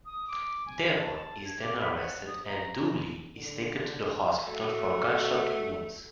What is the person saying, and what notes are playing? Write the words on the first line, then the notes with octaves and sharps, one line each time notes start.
Devon is then arrested and Dooley is taken to the hospital for gunshot wounds.
D#6
D6
G#5
A5
G#6
D6
B5
F#5
D#6
A#5
D3
A3 F#4